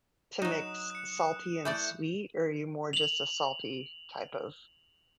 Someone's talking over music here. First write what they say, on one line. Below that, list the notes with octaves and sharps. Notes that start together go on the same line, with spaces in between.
to mix salty and sweet or are you more just a salty type of
F#3 D#4 D#6 F#6 E7
F#6 C#7
E3 A3 D5 G6
F7 F#7